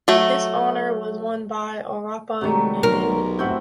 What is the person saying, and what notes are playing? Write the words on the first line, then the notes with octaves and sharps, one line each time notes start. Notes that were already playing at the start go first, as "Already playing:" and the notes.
This honour was won by Orapa United.
F#3 A3
C3 D#3 F#3 G3 A3
B1 A#4
A2 C4 F#4 E5 F#5 G6